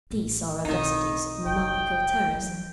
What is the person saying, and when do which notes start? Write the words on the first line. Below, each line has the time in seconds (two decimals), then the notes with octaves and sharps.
These are audacities of monarchical terrorism.
0.11 A1 A3
0.65 B1 D#3 C4 D#4
1.45 F#1 C2 G5
2.34 E3 F#3